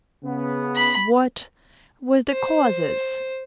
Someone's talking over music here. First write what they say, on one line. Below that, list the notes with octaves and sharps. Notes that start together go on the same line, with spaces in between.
"What... were the causes?"
C#3 B3
B5
C5